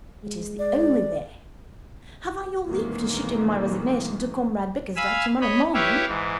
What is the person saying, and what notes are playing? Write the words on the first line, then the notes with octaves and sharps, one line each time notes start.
It is the only way. Have I your leave to shoot in my resignation to Comrade Bickersdyke tomorrow morning?'
G#3
D5
B1 F2 D#3 E3 G#3 A#3
F5 G#5 B5 E6
C#5 D#5 B5
E4 G4 B4 C#5 E5 F5
G#2 E3